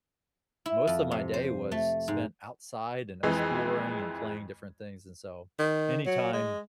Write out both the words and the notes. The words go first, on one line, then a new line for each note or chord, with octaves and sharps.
most of my day was spent outside and exploring and playing different things, and so, anytime
E4
F2
C3
C5
A3
G#2
F2 E3 G#3
D#3
F#3
G#3